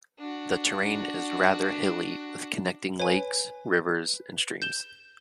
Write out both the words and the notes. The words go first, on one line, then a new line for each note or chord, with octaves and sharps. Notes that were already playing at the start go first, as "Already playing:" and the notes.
The terrain is rather hilly, with connecting lakes, rivers and streams.
D4 F#4
B4 C#5 G#5
G6 E7 G7